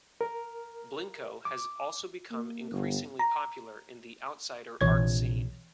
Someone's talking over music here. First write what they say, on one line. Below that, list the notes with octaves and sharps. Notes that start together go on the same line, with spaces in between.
Blinko has also become increasingly popular in the outsider art scene.
A#4
D6
A#3
G1
A#5
A#1 C3 E3 C#5 G#6